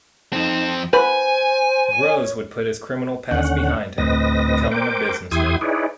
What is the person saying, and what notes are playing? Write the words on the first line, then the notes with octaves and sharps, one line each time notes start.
Grose would put his criminal past behind him, becoming a businessman.
F2 C4 D#4
B4 C5 G#5
C#5
D#2 D3 C#4 F#5
D2 A2 C4 B4 D#5 A#6
A#4 C5 G5 D6
E2 E4 G4 C6 D#6 G#6
D#4 E4 G#4 B4 C#5 D5